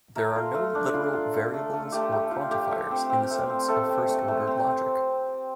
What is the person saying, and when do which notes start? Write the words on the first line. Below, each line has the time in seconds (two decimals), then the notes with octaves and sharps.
There are no literal variables or quantifiers in the sense of first-order logic.
0.16 A3 A#4
0.36 F4
0.54 A3
0.75 D4
0.94 F4
1.13 F4
1.34 A3
1.54 A3
1.73 A3
1.92 A3 G4
2.12 A3
2.31 F4
2.51 A3 G4
2.71 A3
2.91 C4
3.10 C4
3.30 A3
3.50 C4
3.68 A3 A4
3.89 C4
4.09 A3
4.28 A3
4.47 C4